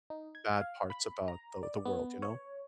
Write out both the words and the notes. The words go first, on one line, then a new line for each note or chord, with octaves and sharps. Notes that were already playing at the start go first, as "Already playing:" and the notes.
bad parts about the the world, you know?
D#4
G#6
F5
B5
A#5
D5
B3
C#5